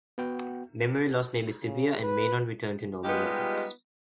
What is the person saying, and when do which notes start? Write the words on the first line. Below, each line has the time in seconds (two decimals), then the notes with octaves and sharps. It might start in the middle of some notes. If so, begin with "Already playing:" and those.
Memory loss may be severe and may not return to normal levels.
0.18 B3 F#4 G5
1.62 C#3
2.02 B4
3.04 G3 G#3 B3 D#4 F4 G4